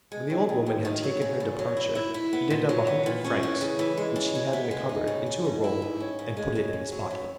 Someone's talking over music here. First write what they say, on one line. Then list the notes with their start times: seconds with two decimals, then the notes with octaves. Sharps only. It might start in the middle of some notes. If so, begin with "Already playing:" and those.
When the old woman had taken her departure, he did up a hundred francs which he had in a cupboard, into a roll, and put it in his pocket.
0.12 G#3
0.30 D#2
0.49 D#2
0.66 D#2
0.85 D#3
1.03 F#3
1.22 C#3
1.40 E2
1.59 F#3
1.77 E4
1.95 E4
2.14 E4
2.33 B3
2.50 A#2
2.69 F#3
2.87 B3
3.06 A#2
3.24 C#4
3.43 E3
3.61 C#3
3.79 E3
3.97 G#3
4.16 C#3
4.35 G#3
4.53 B3
4.71 G#3
4.89 D#4
5.07 C#3
5.26 D#4
5.45 G#2
5.64 E4
5.82 G#2
6.00 C#4
6.19 C#3
6.37 G#3
6.55 C#3
6.73 C#3
6.92 F#3
7.11 F#2